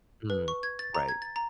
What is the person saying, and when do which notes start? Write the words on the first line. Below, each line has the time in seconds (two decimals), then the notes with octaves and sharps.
Mm, right.
0.30 B4
0.48 C#6
0.63 G#6
0.79 A6
0.95 A#5
1.09 G#6
1.22 A6
1.36 A#5